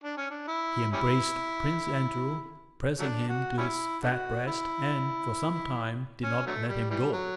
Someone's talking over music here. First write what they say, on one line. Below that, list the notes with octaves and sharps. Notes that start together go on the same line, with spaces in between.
He embraced Prince Andrew, pressing him to his fat breast, and for some time did not let him go.
D4
C#4
D4
E4
G3 C#4 E4
F#3 A3 D4
F#4
G3 C#4 E4
A3 D4 F#4
E4
C#4
D3 F#3 A3
G3
E3 G3
F#3